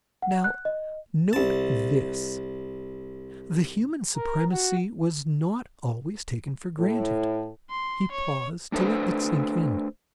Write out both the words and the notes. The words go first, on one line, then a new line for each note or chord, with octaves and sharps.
"Now, note this: the human supremacy was not always taken for granted." He paused to let it sink in.
F#5
F#6
D#5
C2 A5
A#4
F#4
A2
C6
C#5
A3 D4 A4 B4 C5